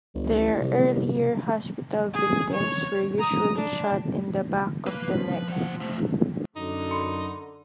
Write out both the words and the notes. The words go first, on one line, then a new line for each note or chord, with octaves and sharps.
Their earlier hospital victims were usually shot in the back of the neck.
G1 C#2
A1
C2 C3
G#4
C#5
A#5 D#6
D4
A#3 B4
F3 B4
G3 F#5
C3 A3
F#2 D3 D#4
B5 C6 C#7